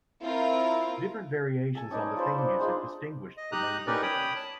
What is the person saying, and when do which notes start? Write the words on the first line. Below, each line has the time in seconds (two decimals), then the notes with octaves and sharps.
Different variations on the theme music distinguished the main bulletins.
0.22 C4 E4 F4 A#4
1.75 A4 G#5 A5
1.91 C#4 D#4 B4 D5
2.16 F4 A4 C5 B5
2.38 D4
2.59 D4 D#4 F4 G#4
3.37 D#5
3.52 D#4 G4 A#5 D#6 F#6
3.87 C#4 D#4 G4 A#4 B4 D5
4.02 C#5 G5 B5 D#6
4.36 A5